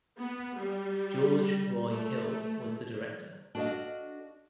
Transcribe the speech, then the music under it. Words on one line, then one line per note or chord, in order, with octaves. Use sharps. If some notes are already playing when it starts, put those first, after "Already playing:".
George Roy Hill was the director.
B3
G3
A3
D4 F#4 A4 C5 D#5 F5